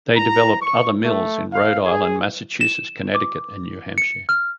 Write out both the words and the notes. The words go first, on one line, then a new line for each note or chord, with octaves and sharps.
They developed other mills in Rhode Island, Massachusetts, Connecticut, and New Hampshire.
A#5
C#6
A3
F5
G#4
E7
D6
C#7
F6